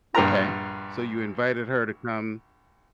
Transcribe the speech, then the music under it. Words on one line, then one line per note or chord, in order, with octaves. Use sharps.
Okay. So, you invited her to come
A#1 G2 A#4 A#5